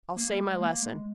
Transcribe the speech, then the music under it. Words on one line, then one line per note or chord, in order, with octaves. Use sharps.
I'll say my lesson.
A#3
G3
G#3
A#3
G#3